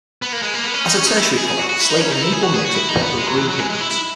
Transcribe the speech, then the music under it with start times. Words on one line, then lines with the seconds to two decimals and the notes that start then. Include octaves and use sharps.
As a tertiary color, slate is an equal mix of purple and green pigments.
0.22 B3
0.33 A#3
0.42 G#3
0.54 A#3
0.63 B3
0.74 C#4
0.85 D#4
0.96 C#4
1.06 D#4
1.16 E4
1.38 G#4
1.48 G#4
1.59 F#4
1.69 F#4
1.80 E4
1.90 D#4
2.01 C#4
2.11 D#4
2.22 E4
2.32 G#4
2.43 F#4
2.54 G#4
2.65 F#4
2.75 E4
2.89 D#4
3.03 B3
3.17 G#3
3.28 F#3
3.38 E3
3.48 F#3
3.59 G#3
3.70 G#3
3.80 E4
3.91 E4